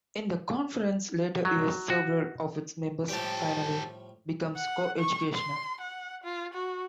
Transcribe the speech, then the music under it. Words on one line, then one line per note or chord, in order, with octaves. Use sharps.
In the conference's later years, several of its members finally became co-educational.
F#3
F#4
A2 F3 G3 G4 A4
F#5
C#6
C6
F#5
F4
F#4